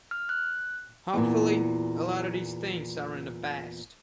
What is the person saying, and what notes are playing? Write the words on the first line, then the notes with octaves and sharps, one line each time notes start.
Hopefully, a lot of these things are in the past.
F6
F#6
E2 A#2